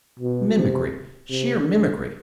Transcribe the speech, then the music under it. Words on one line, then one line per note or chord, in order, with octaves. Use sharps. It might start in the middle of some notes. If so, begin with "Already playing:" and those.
Mimicry, sheer mimicry!
B2
C3
C3
D3